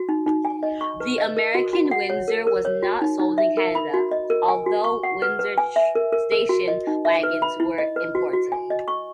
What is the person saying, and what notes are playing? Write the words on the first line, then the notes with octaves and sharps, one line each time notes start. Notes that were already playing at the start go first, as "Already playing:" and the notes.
The American Windsor was not sold in Canada although Windsor station wagons were imported.
Already playing: F#4
D#4
D#4
G#5
D#5
C#6
B4
D#5
A#4
F#4
F#4
F#5
C#5
A#4
A#4
C#5
F#4
D#4
D#4
E5
A#4
B5
F#4
D#5
A#4
G#5
F#4
C#6
F#5
B4
B4
G#5
E5
A#4
A#4
A#4
F#4
D#5
D#4
E5
B4
B5
E4
D#5
B4
F#4
F#4
G#5
D#5
C#6